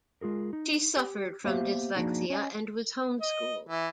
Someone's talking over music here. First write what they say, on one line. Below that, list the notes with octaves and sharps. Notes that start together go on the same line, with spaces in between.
She suffered from dyslexia and was home-schooled.
G#3 F4 G#4 A#4
D#4
G4
A#3 B3 G4 C5 E5 F5
F3 A#3 D4 D#4 F#4 G#4
C#4 C#5 D#5 G#5
D#5
E3